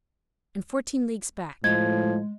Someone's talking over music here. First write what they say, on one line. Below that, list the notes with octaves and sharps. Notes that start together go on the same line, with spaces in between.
"And fourteen leagues back?"
A2 F3 G#3 G#6